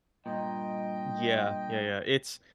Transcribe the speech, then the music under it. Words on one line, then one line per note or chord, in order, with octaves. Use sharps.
Yeah. Yeah, yeah. It's
G2 A#2 D#5 G5